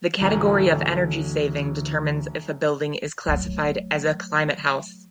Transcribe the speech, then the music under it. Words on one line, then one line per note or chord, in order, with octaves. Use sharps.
The category of energy saving, determines if a building is classified as a ClimateHouse.
A1 D2 E3 F#3 A#5
F#3 A3